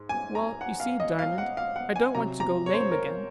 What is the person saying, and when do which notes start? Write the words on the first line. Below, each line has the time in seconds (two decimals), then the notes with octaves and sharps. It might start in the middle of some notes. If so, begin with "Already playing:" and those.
"Well, you see, Diamond, I don't want to go lame again."
Already playing: G#2
0.09 G#5
0.35 A#5
0.61 F#5
0.80 F5
1.00 D#5
1.19 F5
1.38 F#5
1.57 F5
1.76 F#5
1.96 G#5
2.15 C3 F#3 A#5
2.40 A#5
2.66 C#5
2.74 C5
2.81 C#5
2.91 A#4